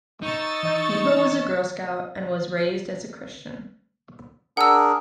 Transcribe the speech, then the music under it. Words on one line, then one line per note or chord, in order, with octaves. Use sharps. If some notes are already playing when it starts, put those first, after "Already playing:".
Iva was a Girl Scout, and was raised as a Christian.
D#4 C#6 E6 A6
E3 D#5 G6
D4 G#4 A#4 F#5 E6